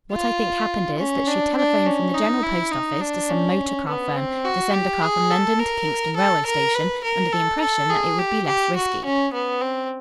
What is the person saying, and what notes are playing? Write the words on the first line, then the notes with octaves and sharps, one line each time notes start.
What I think happened is, that she telephoned from the General Post Office to some motor-car firm to send a car from London to Kingston railway station, under the impression that it would be less risky.
F4
C#4
D4
D4
C#4
D#4
E4
D#4
D4
C#4
B3
C4
F#4
G4
G#4
A4
A#4
A4
A#4
B4
A#4
A4
A4
G#4
G4
G4
F#4
C#4
B3
C4